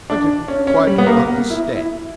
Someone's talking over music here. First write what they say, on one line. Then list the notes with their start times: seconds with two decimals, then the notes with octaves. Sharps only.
"I didn't quite understand."
0.10 D4
0.48 C#4
0.67 C#4
0.87 G3
0.98 B3
1.06 A#3
1.50 E4
1.76 E4